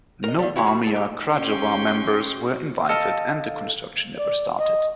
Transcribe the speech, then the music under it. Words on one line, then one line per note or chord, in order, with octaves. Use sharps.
No Armia Krajowa members were invited and the construction never started.
A#4 D#5
E2 G3
E4 F#4 G4 A#4 C#5
F#4 B5
G#4 A4
G4
C#4 G4 G5 C6 C#6
F#4
A4 D#5 F5 E6
D5
D#5